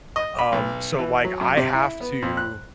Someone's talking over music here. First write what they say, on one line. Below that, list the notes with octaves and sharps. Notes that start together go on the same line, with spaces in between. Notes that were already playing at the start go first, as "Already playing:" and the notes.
Um, so, like, I have to
D#5
B5
B1
E3
F#3
F#2
C3
E4
B3
F2
F#6